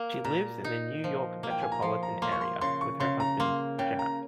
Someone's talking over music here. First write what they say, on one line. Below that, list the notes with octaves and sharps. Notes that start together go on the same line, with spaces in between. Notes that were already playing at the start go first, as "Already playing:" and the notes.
She lives in the New York metropolitan area, with her husband, Jack.
Already playing: A#3
A#2 A#5
D#4
F3
A#3
G5
G#5
A#5
F3 C6
A#5
A#3 C6
C#6
C6
C#3 C6
C#6
C#3 C6
A#5
A#3 C6
C#3 G5
A#5